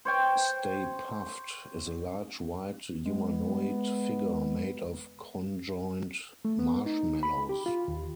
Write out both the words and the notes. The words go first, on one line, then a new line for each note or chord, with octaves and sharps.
Stay Puft is a large white humanoid figure made of conjoined marshmallows.
C5 C#5 G5
G#3 B3
A3
B3
D#4
B5
G4
F4
D#2